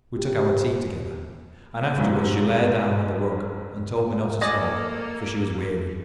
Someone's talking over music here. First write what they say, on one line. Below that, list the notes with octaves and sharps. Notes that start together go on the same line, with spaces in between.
We took our tea together; and afterwards she lay down on the rug, and told me not to talk, for she was weary.
G4
E1 B1 F2 G#2 F#3
A#3 A4 D5 D#5 G#5